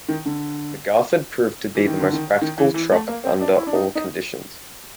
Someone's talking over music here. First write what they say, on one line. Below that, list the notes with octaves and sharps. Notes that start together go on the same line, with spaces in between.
The Garford proved to be the most practical truck under all conditions.
D#3
D3
E3
D#3
D3
D#3
D#3
E3
E3
A3
A#3
C4
D4
E4
D4
D#4
D#4